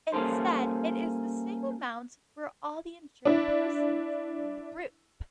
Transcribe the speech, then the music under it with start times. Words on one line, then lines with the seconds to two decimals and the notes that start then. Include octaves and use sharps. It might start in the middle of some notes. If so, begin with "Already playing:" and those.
Instead it is the same amount for all the insured persons in the group.
0.12 G3 A#3 C#4 A4 C5
3.25 D4 E4